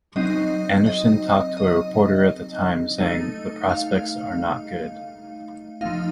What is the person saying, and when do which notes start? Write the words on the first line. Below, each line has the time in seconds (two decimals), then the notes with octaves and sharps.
Andersson talked to a reporter at the time saying; The prospects are not good.
0.16 F#3 C4 D#4 D#5
0.86 D#5
1.57 D#5
2.98 A3 D#4
3.69 F5
5.81 F3 A3 D#4 F5